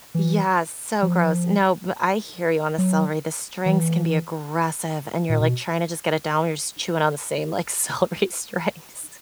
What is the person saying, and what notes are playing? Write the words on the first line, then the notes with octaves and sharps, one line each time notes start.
Yeah, so gross. No, but I hear you on the celery, the strings can be aggressive, and you're, like, trying to just get it down, you're just chewing on the same, like, celery strings.
E3
F3
F#3
E3
A#2
B2